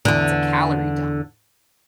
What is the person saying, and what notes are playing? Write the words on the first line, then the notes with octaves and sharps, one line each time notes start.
it's a calorie dump.
E2 D3